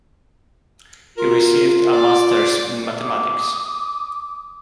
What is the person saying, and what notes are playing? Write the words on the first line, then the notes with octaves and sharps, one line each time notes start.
He received a masters in mathematics.
F4 A#4
D5
D6 D#6